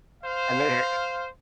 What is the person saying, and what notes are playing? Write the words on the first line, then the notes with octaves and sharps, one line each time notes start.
And they, eh
C5 F5